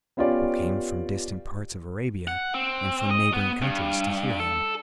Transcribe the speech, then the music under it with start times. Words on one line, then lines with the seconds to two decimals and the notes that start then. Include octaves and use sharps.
People came from distant parts of Arabia and from neighboring countries to hear him.
0.17 B3 C#4 F4 G4 D5
2.28 F#5
2.54 C4
3.11 D#5
3.33 B3
3.62 G2
4.40 A4